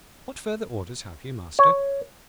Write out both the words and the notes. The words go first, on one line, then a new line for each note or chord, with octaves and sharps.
What further orders have you, Master?'
C#5